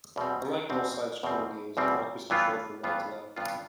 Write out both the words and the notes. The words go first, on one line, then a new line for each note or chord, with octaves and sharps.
Unlike most side-scrolling games, "Walker" is controlled from right to left.
E2 B2 G3 C4
E2 B2 G3 C4
E2 B2 G3 C4
E2 B2 G3 C4
G2 E3 B3 F4
G2 E3 B3 F4
G2 E3 B3 F4